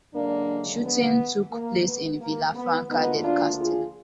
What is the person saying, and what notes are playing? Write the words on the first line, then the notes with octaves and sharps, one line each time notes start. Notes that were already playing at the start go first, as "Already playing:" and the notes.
Shooting took place in Villafranca del Castillo.
F#2 D3 G#3 A#3 D4
B3
A#3
B3
A#3
B3
D2 D3 F3 A#3 B3 D#4
D4 F4
F4 G#4